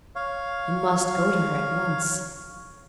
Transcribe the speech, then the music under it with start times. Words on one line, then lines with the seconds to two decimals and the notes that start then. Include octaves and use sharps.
He must go to her at once.
0.15 C#5 F5